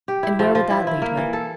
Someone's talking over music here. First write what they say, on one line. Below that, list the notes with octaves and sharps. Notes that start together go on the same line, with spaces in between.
And where would that lead her?
G4
E4
F3
F3
E4
E4
A#3
E3
A4